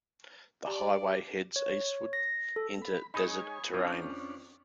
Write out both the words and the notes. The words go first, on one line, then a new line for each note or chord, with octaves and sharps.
The highway heads eastward into desert terrain.
G4 D5
C#5
A#6
A4
B5
G#3 D#4 C#5 G#5 B5 D#6
F2 F3 C#4 D4